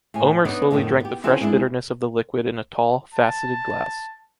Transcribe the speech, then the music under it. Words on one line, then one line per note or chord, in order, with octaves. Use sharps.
Omer slowly drank the fresh bitterness of the liquid in a tall, faceted glass.
A2 G#5
B3 D4 D#4 B4 C#5 D5
F2 A2 D3 D#3 B3
B3 G4
E3 C4 C#4 F4 F#4 A4
G#3 B3 D4 E4
A5